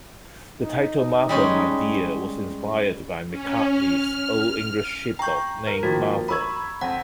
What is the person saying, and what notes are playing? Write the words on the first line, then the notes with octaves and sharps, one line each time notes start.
The title "Martha My Dear" was inspired by McCartney's Old English Sheepdog, named Martha.
D#4
G3 G#3 C#4
C#4
F6
G5 A#5 C#6 G6
A#4
D#3 F3 A#3 F#4
A#5 B5 C#6 E6 G#6
F2 C4 F#5